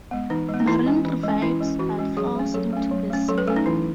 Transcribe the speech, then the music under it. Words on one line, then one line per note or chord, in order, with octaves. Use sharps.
Marin revives, but falls into the sewer.
G#3 B3
E3 D#4
G#3 B3
D#4
E3 E4
G#3 C#4
E3
G#3 C#4
E3 E4
G#3 C#4
E3 F#4
G#3 C#4
F#3 G#4
A3 C#4
F#3 A4
A3 C#4
F#3
A3 C#4
F#3 A4
B4
A3 C#4 A4
D#4
E3 E4